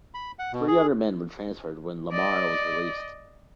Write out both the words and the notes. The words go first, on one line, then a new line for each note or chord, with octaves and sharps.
Three other men were transferred when Lahmar was released.
B5
F#5
B2
G#4
D5 D#5